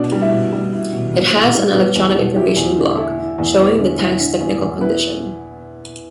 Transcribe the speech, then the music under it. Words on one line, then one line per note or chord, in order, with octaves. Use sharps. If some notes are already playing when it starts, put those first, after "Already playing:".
It has an electronic information block showing the tank's technical condition.
Already playing: B2 D4 D5
G3
E4 E5
B2
G3
E4
B2
B2
E4
G3
G3 B3 B4
E2
B2
E4 G4
E2
D3
E4 A4
E4
E2
B3
D3
E4
D3
E2
E2
B3 E4 B4